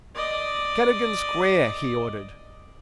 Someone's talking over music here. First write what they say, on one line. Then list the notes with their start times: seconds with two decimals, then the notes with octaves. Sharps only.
"Cadogan Square," he ordered.
0.15 D5 D#5